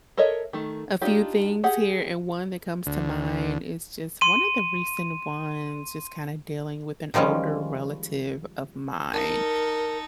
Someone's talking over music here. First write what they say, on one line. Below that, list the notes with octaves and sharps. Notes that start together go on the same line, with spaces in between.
a few things here, and one that comes to mind is just one of the recent ones is kinda dealing with an older relative of mine.
A4 A#4 C#5 D#5 E5
D#3 A3
D4 D#4 F4 G4
G4 G#4 F#5
D2
C6 D#7
D#3 F3 G3 G#3 C#4
D#4 A4 A#4